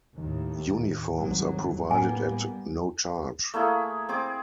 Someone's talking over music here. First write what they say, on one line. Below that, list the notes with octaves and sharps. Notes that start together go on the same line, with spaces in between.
Uniforms are provided at no charge.
D#2 A2 D#3
C2 G#2 F#3
A2 G3 A#3 B3 G#5
A3 A#3 E4 G#4
C4 G#4 D6